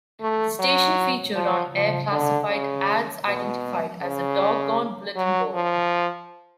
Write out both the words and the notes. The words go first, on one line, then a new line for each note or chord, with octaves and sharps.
The station featured on-air classified ads identified as the Dog-Gone Bulletin Board.
A3
F#3
F3
F3
D3
C#3
B2
C#3
F#3
F3